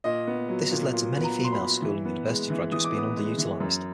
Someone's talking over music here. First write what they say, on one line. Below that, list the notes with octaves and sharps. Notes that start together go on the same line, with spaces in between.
This has led to many female school and university graduates being under-utilized.
A#2 D#5
B3
F#3
A#2
A#2
B3
A#5
F#3
C6
B5
A#2
E3
B3
G#3
E3
E3 D#6
D6
B3 D#6
G#3
E3
F#2